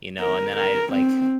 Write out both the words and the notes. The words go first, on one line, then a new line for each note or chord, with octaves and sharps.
you know, and then I, like
A#4
A#4
C4